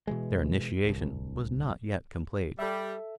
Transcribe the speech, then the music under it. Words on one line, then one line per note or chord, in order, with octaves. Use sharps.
Their initiation was not yet complete.
B2 E3 G#3
D1 C2
G3 A4 E5